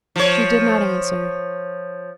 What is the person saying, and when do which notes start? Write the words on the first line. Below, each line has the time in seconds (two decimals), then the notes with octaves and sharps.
She did not answer.
0.16 F3 C#5